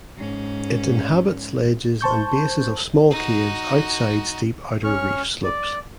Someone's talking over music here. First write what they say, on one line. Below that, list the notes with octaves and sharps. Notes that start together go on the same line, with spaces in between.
It inhabits ledges and bases of small caves outside steep outer reef slopes.
G#2 C#4
C5 A5 C#6 G6
D#4 F#4
C#4 C#6 F6
D5